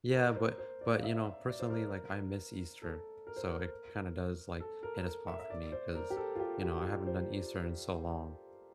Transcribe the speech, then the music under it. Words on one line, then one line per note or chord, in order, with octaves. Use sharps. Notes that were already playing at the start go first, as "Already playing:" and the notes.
Yeah, but but, you know, personally, like, I miss Easter, so it kinda does, like, hit a spot for me 'cause, you know, I haven't done Easter in so long,
A#4
C5
C5
D5
F5
E5
E5
D5
C5
A#4
A4
A#4
C5
A#4
A4
A#4
E5
E5
D5
C5
A#4
G4
A4
F4
G4
G4
G4
F4
C5